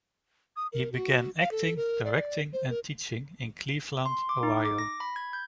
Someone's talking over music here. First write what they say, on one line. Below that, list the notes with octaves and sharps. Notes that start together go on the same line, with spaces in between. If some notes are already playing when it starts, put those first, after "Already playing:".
He began acting, directing and teaching in Cleveland, Ohio.
D#6
A#4
F#4
F5
A4
A#4
D5
C5
A#4
C6
D6
D#4
D6
A#6
B5
G#6
G6